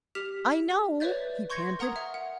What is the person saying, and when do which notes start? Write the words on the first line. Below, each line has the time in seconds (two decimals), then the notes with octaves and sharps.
"I know!" he panted.
0.15 G4 F6 B6 F7
1.00 B4 C#5 D5 E5 G6 A6
1.50 C6 C#6 G6 G#6 A#6 C#7
1.79 A#4 F#5 A#5 D#6 G#6
1.96 E5
2.14 F#5